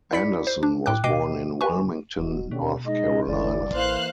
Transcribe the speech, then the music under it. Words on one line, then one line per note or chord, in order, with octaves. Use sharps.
Anderson was born in Wilmington, North Carolina.
E4 D5 B5 B6 C#7
C5
D4
A2 G5 D6 F#6
B2 D#5 G5 D6 C7 D#7
B4 G#5 C#6
D#1 B2
B2 D3 C#4 G4
G#3 D#4 D#5
F#1 A2 D3 E3 D5
A1 E3 A#3 C5 F5 F#6